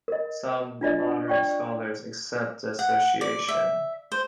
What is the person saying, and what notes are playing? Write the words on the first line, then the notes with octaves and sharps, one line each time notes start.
Some modern scholars accept the association.
A#4 D#5
D4 F4 D5 D#5
D5 G5 C#6
F#5
D5
E5
C5